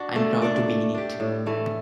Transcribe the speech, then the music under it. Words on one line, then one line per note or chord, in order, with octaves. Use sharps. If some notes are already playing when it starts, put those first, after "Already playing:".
I'm proud to be in it.
Already playing: D4 F#4
A3
D4 A4 D5
A3
D4 G4
A2
E3 A3